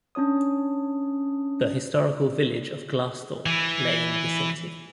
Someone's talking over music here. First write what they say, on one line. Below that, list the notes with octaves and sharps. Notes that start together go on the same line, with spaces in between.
The historical village of Glassthorpe lay in the vicinity.
C#4 D4 C#5 D#6
E3